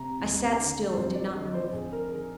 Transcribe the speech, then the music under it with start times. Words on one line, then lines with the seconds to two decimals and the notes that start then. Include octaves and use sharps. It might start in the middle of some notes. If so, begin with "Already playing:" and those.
I sat still and did not move.
Already playing: C3 A#5
0.20 D#2
0.59 D3
0.96 F2 C5
1.15 D5
1.34 D3 D#5
1.54 C5
1.73 F2 G#4
1.92 A#4
2.10 D#3 G#4